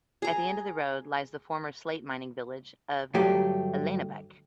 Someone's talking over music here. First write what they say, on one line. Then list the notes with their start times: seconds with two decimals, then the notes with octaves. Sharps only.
At the end of the road lies the former slate-mining village of Ellenabeich.
0.22 G#4 A#5
3.14 D2 G2 F#3 A3 G4